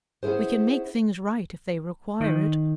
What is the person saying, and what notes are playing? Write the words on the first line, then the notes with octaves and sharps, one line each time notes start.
We can make things right if they require it.
B3 C#4 E4 G#4 C5
D#3